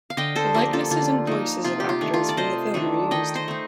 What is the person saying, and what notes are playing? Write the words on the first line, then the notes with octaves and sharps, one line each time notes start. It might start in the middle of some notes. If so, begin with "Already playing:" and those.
The likenesses and voices of actors from the film were used.
F5
D3 D#5 G5
A4 C5
F3 A#3 G4 A#4
F4 A4
D3 F4
F3 A#3 D#4
C3 F4
G4
F4
D#3 A3 D4
F4
D5
C3 C5 D#5
D#3 A3 D4
D#3 D#5 G5
C5 D#5
A3 D#4